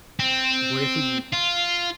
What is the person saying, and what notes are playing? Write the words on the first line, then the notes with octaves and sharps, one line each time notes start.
what if we
C4
F4